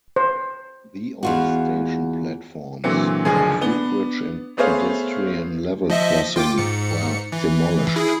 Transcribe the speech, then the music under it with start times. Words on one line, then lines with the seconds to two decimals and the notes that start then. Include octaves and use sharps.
The old station platforms, footbridge and pedestrian level crossing were demolished.
0.16 C5
1.23 E2 F4 F#4
2.84 A#2 D3 E3 F#3 C4 C#7
3.25 F#1 D2 F3 D4 G#4 G#5
3.61 B3 D4 G7
4.57 A3 B3 G#4 C5 C#5 F5
5.90 F3 D#5 E5
6.36 F4 G5 D6
6.58 G#2 C#7
7.32 E3
7.96 E4 G#4